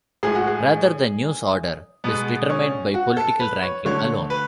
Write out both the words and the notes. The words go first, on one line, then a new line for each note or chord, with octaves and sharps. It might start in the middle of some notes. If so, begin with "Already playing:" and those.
Rather the news order is determined by political ranking alone.
A2 G#3 G#4
F#4
G#4
B2 G#3 B3
C#4
F#4
A4
B4
C#5
D3 A3 C#5
B4